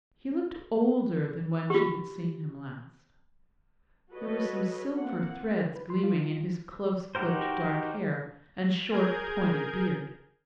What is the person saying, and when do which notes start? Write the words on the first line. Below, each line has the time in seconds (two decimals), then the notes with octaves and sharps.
He looked older than when she had seen him last--there were some silver threads gleaming in his close-clipped dark hair and short, pointed beard.
1.70 F4 G4
4.12 F#4 A4 B4 C#5 D#5
4.97 A#3 C4 F#5
5.76 B4
5.90 C6
6.04 F4
6.18 F4
7.15 D#4 F#4 G4 A#4 C5
8.91 G#4 A#4 G6 G#6